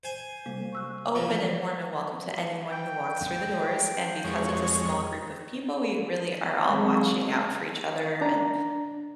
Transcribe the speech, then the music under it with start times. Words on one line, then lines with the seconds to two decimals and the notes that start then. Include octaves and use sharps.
m open and warm and welcome to anyone who walks through the doors, and because it's a small group of people, we really are all watching out for each other and,
0.03 C5 G#5
0.46 C3 G3 A#3
0.73 C#6 E6 F#6
1.15 E2 E3 F3
2.72 G5
4.24 F2 G#3 C#5
6.70 F#3 G#3 C4
8.21 D4 A#5